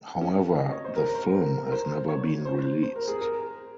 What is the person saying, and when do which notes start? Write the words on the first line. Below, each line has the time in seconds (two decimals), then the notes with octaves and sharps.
However, the film has never been released.
0.21 C#4
0.59 D#5
0.72 C#5
0.84 C5
0.96 A#4
1.15 C5
1.34 A#4
1.67 A#4
1.72 C5
2.08 C#5
2.45 C5
2.83 C5
2.96 A#4
3.08 G#4
3.21 A#4